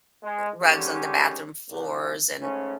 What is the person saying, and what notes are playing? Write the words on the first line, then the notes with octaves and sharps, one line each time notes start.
rugs on the bathroom floors and,
G#3
D3 D#3 G3 G#3 C#4 G4
C2
G#2 C#3 A3 C#4